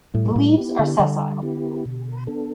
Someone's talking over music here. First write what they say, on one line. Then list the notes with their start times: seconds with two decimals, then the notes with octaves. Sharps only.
The leaves are sessile.
0.14 A2 G3
0.25 B2
0.36 A2
0.57 B3 E4 G4
0.79 D3
0.99 D3 G3
1.42 B3 E4 G4
1.86 B2
2.27 B3 D4 A4